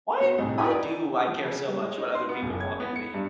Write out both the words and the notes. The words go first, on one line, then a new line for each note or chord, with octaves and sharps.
"Why why do I care so much what other people want me to be?"
B3 F#4
C2 A2 D#4 G#4
E4 F#4 G5 G#5 B5 D#6
D#4 D5
F3
C#3
G3
G#3
D#4
C6
B3
F#1
G#6
B3
C#7
G2